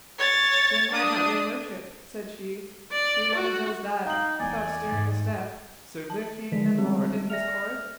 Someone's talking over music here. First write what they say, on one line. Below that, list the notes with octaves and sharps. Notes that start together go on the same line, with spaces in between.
"Then might not your worship," said she, "be one of those that, without stirring a step, serve their king and lord in his court?"
C#5 A6
D4 D#6
D5
F#4
D#4 F5 G5 F#7
E2 D5 G5 G#5
G#2
A5
D3 D#3 F3 G#3 B6
G3 C4 G4
D5 E5 F6 A#6 F7